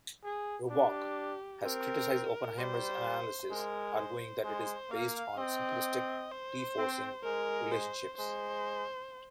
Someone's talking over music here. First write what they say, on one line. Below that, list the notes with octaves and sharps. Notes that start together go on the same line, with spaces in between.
Robock has criticized Oppenheimer's analysis, arguing that it is based on simplistic T-forcing relationships.
G#4
D4 G4
C4 A#4
G3 C5
G#3 A#4
C5
G#3 C5
A#3 F5
C4 D#5
C5
C4
G#3 A#4
C5
G#3 C5